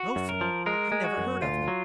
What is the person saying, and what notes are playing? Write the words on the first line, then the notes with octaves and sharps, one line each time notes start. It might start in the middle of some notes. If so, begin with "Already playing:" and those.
"No, sir; I never heard of them."
Already playing: F#4
F#2
A#4
F3
G#3 A#4
G#3
F#4
F#2
D2 F4
F#3